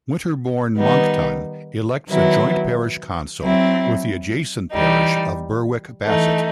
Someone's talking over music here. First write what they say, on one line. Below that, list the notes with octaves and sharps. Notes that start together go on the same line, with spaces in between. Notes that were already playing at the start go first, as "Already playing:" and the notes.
Winterbourne Monkton elects a joint parish council with the adjacent parish of Berwick Bassett.
D#3 G3 B3 D#4
D#3 F#3 B3 E4
F#3 C4 E4
E3 G3 D#4
E3 A3 D#4